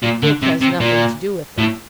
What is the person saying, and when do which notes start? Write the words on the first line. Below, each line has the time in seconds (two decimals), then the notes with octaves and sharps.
Dick has nothing to do with them.
0.03 A#2
0.23 D3
0.42 C3
0.61 C3
0.80 A#2
1.58 A2